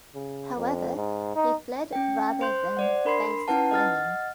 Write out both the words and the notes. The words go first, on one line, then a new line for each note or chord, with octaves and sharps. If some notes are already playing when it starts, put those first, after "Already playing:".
However, he fled rather than face Fleming.
C#3
F2
G#2
D#4
C#4 G5
C5 C6 G6
C5 D5 F#5
D4 A#4 B5 C6 C7
C#4 D#4 E4 B4 F#5 A5
D#5 F#5 F6 A6